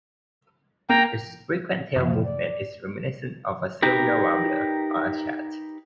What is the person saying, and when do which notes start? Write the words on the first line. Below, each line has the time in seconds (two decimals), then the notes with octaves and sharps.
Its frequent tail movement is reminiscent of a "Sylvia" warbler or a chat.
0.90 A#3 G5 A#5
1.96 F#2 C3 E3 F3
2.24 D5
3.82 D#4 G4 A#4 B4